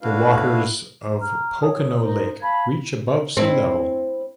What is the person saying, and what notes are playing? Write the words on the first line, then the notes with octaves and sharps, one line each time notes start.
The waters of Pocinho lake reach above sea level.
A3 D4 E4 F#4 B4 F5
A#5 F6
C#5 D#6
D#4 A#4 C5
F5 A5 B5 G#6
C4 E4